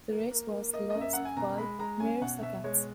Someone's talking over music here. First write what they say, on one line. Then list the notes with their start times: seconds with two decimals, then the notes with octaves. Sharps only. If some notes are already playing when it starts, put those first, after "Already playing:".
The race was lost by mere seconds.
0.10 A#3
0.31 A#3
0.52 A#3
0.73 A#3 D#5
0.90 F#2 D#5
1.01 E5
1.13 F#2 F#5
1.25 G#5
1.37 B2 A#5
1.58 G#3 B5
1.79 G#3 A#5
2.00 C#4 G#5
2.21 B2 F#5
2.42 B2 E5
2.64 G#3 C#5